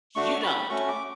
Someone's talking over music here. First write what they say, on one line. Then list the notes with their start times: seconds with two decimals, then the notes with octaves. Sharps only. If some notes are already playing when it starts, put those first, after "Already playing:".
You don't.
0.15 A3 D4 F#4 C#6
0.43 B5
0.70 A3 C#4 F#4 C#6
0.89 D6